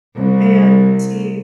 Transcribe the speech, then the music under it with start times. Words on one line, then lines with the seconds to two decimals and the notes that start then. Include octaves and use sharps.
and see
0.16 C2